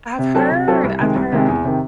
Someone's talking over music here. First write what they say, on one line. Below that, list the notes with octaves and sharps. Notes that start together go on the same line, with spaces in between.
I've heard, I've heard.
C3
F#3 C4 F#4 A4
C3
F#3 C4 F#4 A4
C2
C3 D#3 G#3
C2
C3 D#3 G#3
E2
C3 D#3